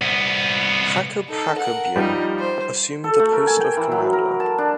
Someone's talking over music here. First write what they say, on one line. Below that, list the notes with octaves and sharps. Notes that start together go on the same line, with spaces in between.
Hakob Hakobyan assumed the post of commander.
C2 B3
D#4 A4
A#4 F#5
F3 G3 D#4
C5
A4
A3
A#4
G#5
G5
E3
F#3
A#4
A5
D4